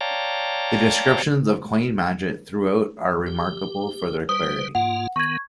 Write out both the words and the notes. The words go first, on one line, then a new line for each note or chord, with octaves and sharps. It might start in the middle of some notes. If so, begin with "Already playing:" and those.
The descriptions of coin magic throughout are remarkable for their clarity.
C#5 D5 F5 G5 A5 A#5
G4
G3 B4 C5 D#6
G#2 A#3 F4 F#5
D#3 B3 C#6 G#6